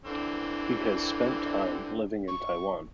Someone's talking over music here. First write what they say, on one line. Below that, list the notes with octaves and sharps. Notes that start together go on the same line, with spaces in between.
He has spent time living in Taiwan.
D3 E3 C4
C#6